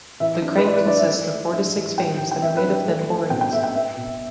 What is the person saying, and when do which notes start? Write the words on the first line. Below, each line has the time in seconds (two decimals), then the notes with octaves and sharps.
The crank consists of four to six vanes that are made of thin boards.
0.20 E3 E5
0.42 D4
0.57 B4
0.65 E3 D5
0.76 B4
0.87 D4 D5
0.98 E5
1.09 A3
1.31 A3
1.53 D4 E5
1.75 E3
1.97 G3 G5
2.19 E3
2.31 G5
2.42 E3 E5
2.57 B4
2.64 D4
2.86 A3
3.08 A3
3.30 B2 G5
3.41 G5
3.52 A3 E5
3.63 G5
3.75 B3 E5
3.97 B2